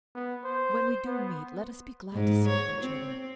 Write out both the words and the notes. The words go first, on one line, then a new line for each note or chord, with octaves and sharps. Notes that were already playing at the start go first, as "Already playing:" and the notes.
When we do meet let us be glad to see each other.
B3
C5
B3
G#2
C#5
C4